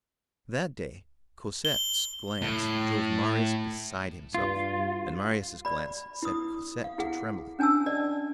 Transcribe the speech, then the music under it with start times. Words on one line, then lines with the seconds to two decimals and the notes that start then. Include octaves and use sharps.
That day, Cosette's glance drove Marius beside himself, and Marius' glance set Cosette to trembling.
1.65 G7
2.42 A2
4.34 G2 F4
5.65 D5 B5
6.22 E4 D#6
6.84 F5
6.98 E4 G#4 F#5
7.59 C#4 D4 G#5 A5 E6
7.86 D5 D#5